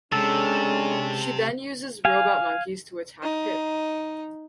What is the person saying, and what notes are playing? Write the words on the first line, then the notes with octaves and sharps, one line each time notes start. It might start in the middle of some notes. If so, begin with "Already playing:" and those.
She then uses robot monkeys to attack Pip.
C3 G#3 C#4 D4 A4
F5 G#5
D#4